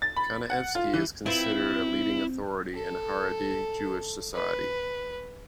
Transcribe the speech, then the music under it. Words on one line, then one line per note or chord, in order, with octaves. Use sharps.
Kanievsky is considered a leading authority in Haredi Jewish society.
A6
B5
F#5
F4
E3
C4 E4 F4 B4
A4
B4